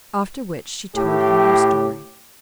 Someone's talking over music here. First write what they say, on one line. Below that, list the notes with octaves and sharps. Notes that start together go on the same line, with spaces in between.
After which she told him her story.
A2 G4